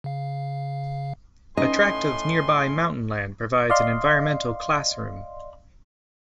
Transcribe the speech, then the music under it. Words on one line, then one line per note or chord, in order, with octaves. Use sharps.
A tract of nearby mountain land provides an environmental "classroom".
C#3 F5
A2 C#4 D#4 B4 D#5 G#5 C6
D5 D#5 F5 C6